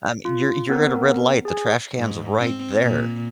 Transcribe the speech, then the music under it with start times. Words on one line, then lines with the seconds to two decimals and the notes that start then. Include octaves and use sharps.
Um, you're you're at a red light, the trash can's right there.
0.25 F4
0.69 B3 C4 A#4
1.45 G#4 G#5
1.98 G#2
2.40 C4
2.82 A#2